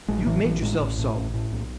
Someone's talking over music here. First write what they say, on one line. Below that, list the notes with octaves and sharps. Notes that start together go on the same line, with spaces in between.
You've made yourself so.
A1 G#3
D#3
A2 E3
A1 E3
A2 G#3
A1
A2
A1
A2
B1